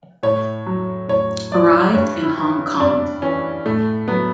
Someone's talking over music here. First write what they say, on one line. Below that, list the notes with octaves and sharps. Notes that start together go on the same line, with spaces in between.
Arrived in Hong Kong.
A2 C#5
F#3
A2 C#5
F#3 D5
G2 C#5
E4
E3
G2 D4
E3 C#4
A2 A3
F#3 B3